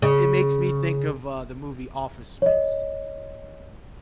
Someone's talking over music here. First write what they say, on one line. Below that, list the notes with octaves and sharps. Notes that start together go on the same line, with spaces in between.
it makes me think of, uh, the movie Office Space.
C#3
C#5 D#5